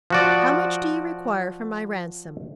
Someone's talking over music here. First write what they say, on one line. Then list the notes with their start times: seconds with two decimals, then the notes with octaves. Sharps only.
"How much do you require for my ransom?"
0.10 F3 F#4 D5